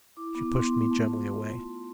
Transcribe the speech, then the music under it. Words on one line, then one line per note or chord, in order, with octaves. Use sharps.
She pushed me gently away.
E4 D6
B3
B3 C6
E4
A3
F4